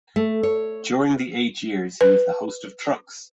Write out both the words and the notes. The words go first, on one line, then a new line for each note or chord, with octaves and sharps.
During the eight years he was the host of Trucks!
A3
C#5
B4